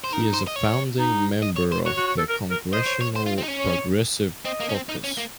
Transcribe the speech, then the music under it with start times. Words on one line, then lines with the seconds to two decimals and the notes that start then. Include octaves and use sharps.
He is a founding member of the Congressional Progressive Caucus.
0.04 C5
0.13 D#4 A#4
0.34 C5
0.47 D#5
0.56 C#5
0.99 D#4
1.42 D#5
1.56 C#5
1.72 C5
1.86 F#4 C#5
1.97 F#4
2.07 F#4
2.18 A4
2.29 A#4
2.51 A#4
2.73 C5 D#5
2.86 C#5
3.01 C#5
3.16 C5
3.26 F4
3.38 C4
3.43 D#4
3.48 C#4
3.59 C#5
4.45 C4 D#5
4.60 A#3
4.69 C#4
4.74 C4
4.89 D#4
5.04 C#4
5.17 A#3